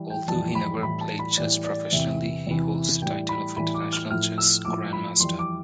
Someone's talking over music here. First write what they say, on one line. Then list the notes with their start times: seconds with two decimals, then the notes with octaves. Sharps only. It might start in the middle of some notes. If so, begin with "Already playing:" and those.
Although he never played chess professionally, he holds the title of International Chess Grandmaster.
Already playing: E3 G3
0.10 G5
0.28 F2 E3 G3 A5
0.55 B5
0.83 A2 E3 G3 B5
1.01 A5
1.19 B5
1.38 A2 E3 G3 D5
1.64 D5
1.92 E2 C3 E3 E5
2.47 E2 C3 E3
3.01 A2 E3 G3 G5
3.29 B5
3.56 A2 E3 G3 B5
3.74 D6
3.93 F6
4.10 A2 F3 F6
4.38 E6
4.65 A2 F3 D6
4.93 B5
5.20 F2 E3 G3 C6
5.39 D6